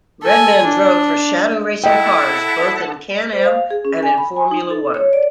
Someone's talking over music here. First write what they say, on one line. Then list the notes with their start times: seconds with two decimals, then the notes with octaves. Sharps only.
Redman drove for Shadow Racing Cars both in CanAm and in Formula One.
0.23 A4 G#5
0.65 D4
1.84 E4 A4 D#5 F#5 G5 A5
3.33 C5
3.46 F5
3.71 G#4
3.85 C#4
4.03 G#5
4.18 B5
4.36 G#5
4.51 D#4
4.70 A4
4.94 C#5
5.13 D5